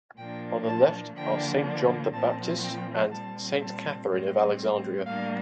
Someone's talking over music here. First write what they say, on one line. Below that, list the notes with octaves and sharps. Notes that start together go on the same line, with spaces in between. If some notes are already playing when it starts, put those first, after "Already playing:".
On the left are Saint John the Baptist and Saint Catherine of Alexandria.
A#2 F3 A#3 D4 G5
A5
D3 F3 A#3 D4 G5
A#2 F3 C4 A5
G5
A#2 G3 C4 A5
A5
A2 G3 C4
A2 G3 A#3 D4 F5